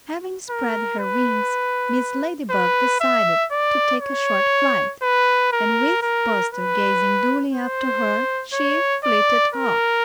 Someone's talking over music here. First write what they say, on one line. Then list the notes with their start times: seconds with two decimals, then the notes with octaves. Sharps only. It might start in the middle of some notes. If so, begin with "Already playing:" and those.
Having spread her wings, Mrs. Ladybug decided to take a short flight. And with Buster gazing dully after her she flitted off.
0.50 A#4
0.99 B4
2.50 B4
3.00 E5
3.51 D5
4.02 C#5
5.03 B4
5.52 A#4
6.02 A#4
6.53 B4
7.53 C5
8.53 C#5
9.04 D5
9.54 A#4